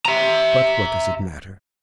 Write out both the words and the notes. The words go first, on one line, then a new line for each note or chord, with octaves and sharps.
But what does it matter?
E5 A#5